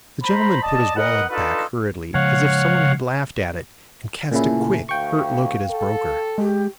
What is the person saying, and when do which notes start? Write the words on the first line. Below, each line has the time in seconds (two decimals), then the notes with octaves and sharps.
The gentleman put his wallet back hurriedly as if some one had laughed at it, and cast a quick, hurt look at his broker.
0.23 C5 A#5 B5
0.63 D5 D#5 A5
0.96 A#4 B4 D#5 F#5
1.30 D4 D#4 F4 A4 B4
2.14 C#3 F3 G#3 C#5 F5 F#5
4.32 A#2 C#3 A3 E4 G#5
4.89 D2 F5 G5 C#6
5.70 A4
6.38 G#3 G4